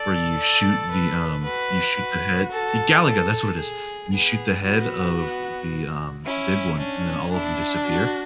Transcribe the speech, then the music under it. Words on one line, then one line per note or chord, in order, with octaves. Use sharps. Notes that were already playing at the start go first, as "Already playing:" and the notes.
where you shoot the um, you shoot the head y Galaga, that's what it is. You shoot the head of the, um, big one, and then all of ‘em disappear.
Already playing: A4 D5
D5
B4
F#4 B4
F#4
A4
A4
G#4
B3 G#4
B3 F#4
B3
C#4 E4
C#4 D4
D4 E4
F#4